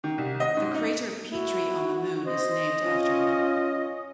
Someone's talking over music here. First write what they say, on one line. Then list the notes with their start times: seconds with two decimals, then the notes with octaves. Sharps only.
The crater Petrie on the Moon is named after him.
0.04 D#3
0.18 C2
0.40 D#5
0.57 G#2
0.74 D#4
1.32 E4 F#4
2.26 C5 D#5
2.83 C#4 F4